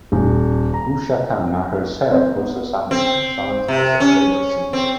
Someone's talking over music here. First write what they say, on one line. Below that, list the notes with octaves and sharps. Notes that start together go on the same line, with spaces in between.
Usha Khanna herself also sang a few songs as a playback singer.
D#1
A#5
C4
B3
C4
C3
C#4
C4